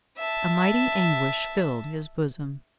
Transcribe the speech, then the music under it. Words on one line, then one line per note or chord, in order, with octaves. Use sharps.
A mighty anguish filled his bosom.
E5 A5